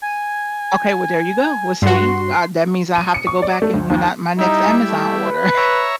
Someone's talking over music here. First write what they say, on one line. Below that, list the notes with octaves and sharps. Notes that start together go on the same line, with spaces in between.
Okay, well there you go, we'll see, uh, that means I have to go back, and when I my next Amazon order
G#5
G2 F#4 C6
D#7
C#7
C#6
D5
A3
D2
D#2
G3 D#4 E4
A3
B4
C#5 E5 A#5